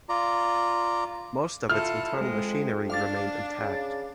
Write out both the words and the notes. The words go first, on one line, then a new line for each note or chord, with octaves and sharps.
Most of its internal machinery remained intact.
F4 D5 A#5
E4 F4 A4 F6
F2 G#3
D4 F5 D6 A6
C#3